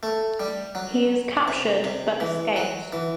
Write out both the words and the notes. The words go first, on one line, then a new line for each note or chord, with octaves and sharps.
He is captured but escapes.
A3
G3
F#3
C3
C3
E3
F#3
E3